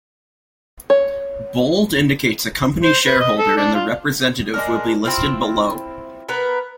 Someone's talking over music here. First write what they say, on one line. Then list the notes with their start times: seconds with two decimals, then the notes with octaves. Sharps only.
Bold indicates a company shareholder and the representative will be listed below.
0.90 C#5
2.84 C5
3.06 B4
3.20 D#5
3.39 A4
3.57 D4
3.74 F4
4.54 G#3 D4 A#4
5.04 C4 E4 F4
6.29 B3 A#4 B4